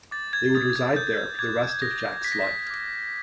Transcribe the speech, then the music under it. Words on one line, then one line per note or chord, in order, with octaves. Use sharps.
They would reside there for the rest of Jack's life.
D6 G6 A6
G#6
D#6 G6 A6
G#6
D#6 G6
G#6
D6 F#6 G#6
D#6 F#6 A#6
D6 F#6 B6
A#6
B6
D6 F6